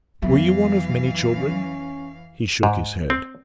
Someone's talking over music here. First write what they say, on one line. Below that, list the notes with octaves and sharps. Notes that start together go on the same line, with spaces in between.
Were you one of many children?' He shook his head.
F2 E3 F#3 B3 E5 F5
C#4
G#2
C4